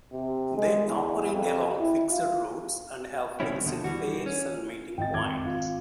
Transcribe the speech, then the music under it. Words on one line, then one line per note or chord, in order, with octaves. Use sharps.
They operate along fixed routes, and have fixed fares and meeting points.
C3
G#3
E2
F2
E4
F4
B2 D#3 G3 C4 C#4 E4
D#2 B2 D3
E3 G3 F#4
C#4
G#1 D#5 G5 A6
G#1 D6 G#6
F4